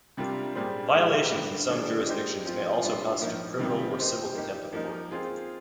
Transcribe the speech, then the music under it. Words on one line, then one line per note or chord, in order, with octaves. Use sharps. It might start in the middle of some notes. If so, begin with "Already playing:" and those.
Violations in some jurisdictions may also constitute criminal or civil contempt of court.
C3 G3 D4 F4 A#4
A#2 G3 D4 G#4 C5
G#3 D#4 G4 A#4
D3 G3 D4
D#3 A#3 D4 G#4 D5
G#3 D#4 G4 C5 D#5
F3 C4 F4
G3 D4 F4
A#2 F3 A#3 D#4
C3 D#3 G3
C4 D#4 G4 C5 D#5
A#3 D#4 G4
F3 A#3 D#4 A#4
C4 F4 G#4